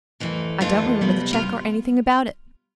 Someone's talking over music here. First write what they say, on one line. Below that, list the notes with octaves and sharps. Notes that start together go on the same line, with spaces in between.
I don't remember the cheque or anything about it.
F2 E3 A3
F2 E3 A3 F4
C3 G3 B3
F4